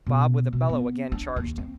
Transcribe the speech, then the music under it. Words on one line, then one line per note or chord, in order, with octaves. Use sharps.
Bob with a bellow again charged him.
B2
B2
B3
D4
D#2
C4